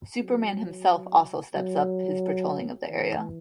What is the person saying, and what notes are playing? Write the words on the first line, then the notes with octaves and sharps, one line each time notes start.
Superman himself also steps up his patrolling of the area.
F#3
F#3
E3